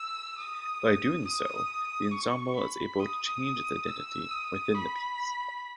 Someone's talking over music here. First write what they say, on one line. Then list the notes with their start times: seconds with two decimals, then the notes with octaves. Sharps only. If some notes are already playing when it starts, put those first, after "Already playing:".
By doing so the ensemble is able to change its identity within the piece.
Already playing: E6
0.38 D#6
1.25 D#6
2.12 C#6
2.56 B5
3.00 D#6
3.87 E6
4.31 D#6
4.75 B5